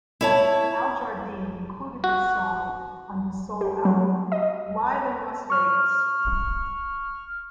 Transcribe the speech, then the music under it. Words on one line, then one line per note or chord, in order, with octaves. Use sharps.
Al Jardine included this song on his solo album "Live in Las Vegas".
E4 C#5 A5
F#4
G4
F#3
D#5
C#6 F6